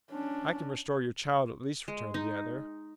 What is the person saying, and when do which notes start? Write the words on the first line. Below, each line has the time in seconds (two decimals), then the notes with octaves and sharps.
"I can restore your child at least," returned the other.
0.11 C#4 D4
1.88 G#3
2.14 D#4